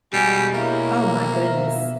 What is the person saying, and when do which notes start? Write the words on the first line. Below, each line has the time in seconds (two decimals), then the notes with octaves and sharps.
Oh my goodness,
0.13 B2 G3 G#3 F#4 G#5
0.54 A#3 E4 C#5
1.32 E5